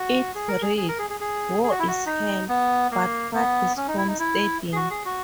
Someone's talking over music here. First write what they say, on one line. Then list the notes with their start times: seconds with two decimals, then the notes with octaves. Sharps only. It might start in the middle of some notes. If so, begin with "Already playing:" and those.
It read: War is Hell, but what is homesteading?
Already playing: F#4
0.35 G#4
0.48 A#4
0.62 G#4
0.77 G#4
0.89 A#4
0.99 G#4
1.10 G#4
1.21 G#4
1.64 G#4
1.71 F#4
1.79 E4
1.88 F#4
2.06 D#4
2.49 B3
2.92 A#3
3.34 B3
3.77 C#4
3.88 D#4
3.97 E4
4.08 D#4
4.19 E4
4.72 G#4
4.76 F#4
4.90 G#4
5.05 F#4